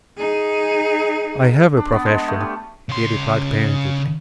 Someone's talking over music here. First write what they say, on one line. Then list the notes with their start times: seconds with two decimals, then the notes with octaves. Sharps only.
"I have a profession," he replied plaintively.
0.17 D#4 G#4
1.77 D4
1.93 B3
2.06 G#3
2.28 A3
2.41 G3
2.89 C#3 C6